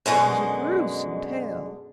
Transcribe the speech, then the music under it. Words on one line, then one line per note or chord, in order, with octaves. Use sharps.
It was a gruesome tale!
F#2 B2 D3 G#3